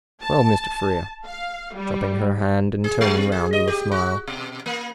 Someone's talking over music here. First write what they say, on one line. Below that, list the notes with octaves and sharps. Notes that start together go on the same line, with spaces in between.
"Well, Mr. Frere," dropping her hand, and turning round with a smile.
A5
F5
G3
G#4
G#3
C4
G#4
D#5
G4
F#4
B2
A#3